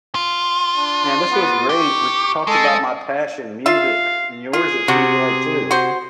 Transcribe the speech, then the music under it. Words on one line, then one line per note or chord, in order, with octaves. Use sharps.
Man, this was great, we talked about my passion, music, and yours, it seemed like, too.
F4
D4
B3
G4 C#6
G#3 A4
F4 E5 F5
F4 G#4
C3 F#4
F#4 C5